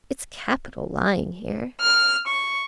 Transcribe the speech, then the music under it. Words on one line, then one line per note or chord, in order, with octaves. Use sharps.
"It's capital lying here."
F6
C#6